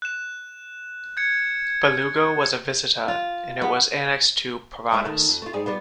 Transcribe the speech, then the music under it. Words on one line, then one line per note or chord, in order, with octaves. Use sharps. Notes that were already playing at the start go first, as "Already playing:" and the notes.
Balugo was a visita and it was annexed to Paranas.
F#6 E7
G6 G#6 C#7
F4
B3
G#3 E4 C#5
D#3 A3
F2
A3 F4
G#2 G3 G#4
G3 B3 F4